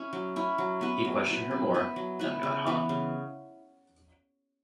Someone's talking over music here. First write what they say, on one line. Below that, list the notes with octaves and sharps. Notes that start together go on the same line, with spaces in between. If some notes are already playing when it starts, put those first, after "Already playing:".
He questioned her more, then got hot.
Already playing: C#4 E4
F#3
C#4 E4
F#3
B3 E4 B4
F#3
B3 E4 B4
F#3
B3 E4 B4
F#3
B3 E4 B4
C#3
E3 B3
C#3